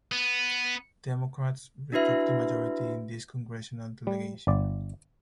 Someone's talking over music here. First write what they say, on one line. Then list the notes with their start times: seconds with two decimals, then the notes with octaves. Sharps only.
Democrats retook the majority in this congressional delegation.
0.12 B3
1.92 D4 E4 F#4 B4 E5
4.07 G3
4.47 G1 D5